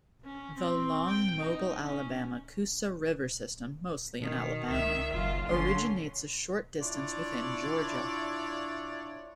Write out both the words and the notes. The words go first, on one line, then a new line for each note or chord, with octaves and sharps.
The long Mobile-Alabama-Coosa River system, mostly in Alabama, originates a short distance within Georgia.
C#4
C4
G5
D#4
C#4
B2 D#3
C#2 E5
F#1 F#2 F4
G1 D3 C#4 C6
D4 E4 F4 C#5 D5